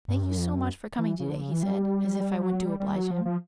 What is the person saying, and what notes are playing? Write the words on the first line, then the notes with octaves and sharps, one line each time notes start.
"Thank you so much for coming today," he said--as if I went to oblige him.
G2
F#2
F2
F#2
E3
C#3
D3
C#3
E3
G3
G3
F#3
G3
G3
F#3
F3
F3